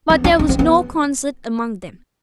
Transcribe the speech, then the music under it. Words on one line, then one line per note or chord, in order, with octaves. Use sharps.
But there was no concert among them.
C#4
D4
C#4
C4
B3